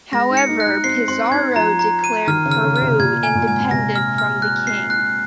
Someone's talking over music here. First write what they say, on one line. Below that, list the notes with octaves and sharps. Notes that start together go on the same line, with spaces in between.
However, Pizarro declared Peru independent from the King.
G#3 A#6
D#4
C#7
D#4
F#6
D#4
C4 C7
C4 C6
D#4 G#6
F3 A#5
A#5
D#7
D#3 F6
C#3
F6
C#3
F6
C3
A#2 G#6
G#5
A#2
G#2 G#5
A#2
C3 A#6
F6
F6
F#6
C7
F#6